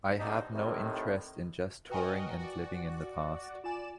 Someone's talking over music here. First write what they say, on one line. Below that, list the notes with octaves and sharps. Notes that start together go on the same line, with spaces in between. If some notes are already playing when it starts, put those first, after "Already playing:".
I have no interest in just touring, and living in the past.
B1 F2 C3 C4 D4 D#4
A2 C3 D#3
F#4 A#4 B4 D#5 G5 G#5
F#4 D5
F4 D5 G#5 E7